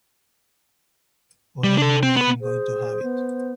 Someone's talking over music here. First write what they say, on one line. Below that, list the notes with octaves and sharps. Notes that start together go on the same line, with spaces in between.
All I know is, I'm going to have it.
G3
D4 A4
C4
B3 B4
G#4 C5
B3